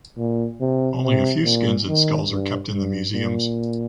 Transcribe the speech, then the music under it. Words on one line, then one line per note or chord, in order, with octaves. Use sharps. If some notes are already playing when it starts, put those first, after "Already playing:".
Only a few skins and skulls are kept in the museums.
A#2
C3
C3
A#2
D#3
G2
G2
A#2